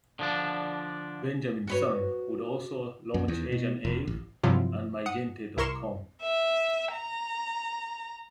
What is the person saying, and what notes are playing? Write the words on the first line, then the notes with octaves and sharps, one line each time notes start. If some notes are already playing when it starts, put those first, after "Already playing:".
Benjamin Sun would also launch AsianAve and MiGente dot com.
D3 F3 D4
F#4 B4 C#5
F#2
E2
B2
E1
A1
G2 C3 F3 F#3 E4 F4
F#5 D#6 C#7
C2 E4 A#4 C6 C#6 E7
E5
A#5